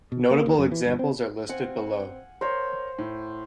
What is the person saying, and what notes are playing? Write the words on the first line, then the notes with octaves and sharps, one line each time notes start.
Notable examples are listed below.
B2
A#3
D#2
F#2
E3
G1
C4
C4 F5 F#5 G#5
A#4 C5 C#5
A2